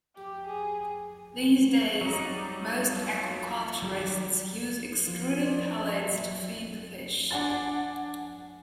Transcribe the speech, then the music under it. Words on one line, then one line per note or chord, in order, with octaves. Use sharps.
These days, most aquaculturists use extruded pellets to feed the fish.
G4
G#4
F#3 G3 D#4
F4 A4
D#3 F#3 G3
F3 F4
D#4 C5 D5
E5
A#2 F#3
D4 F#5 G#5 A6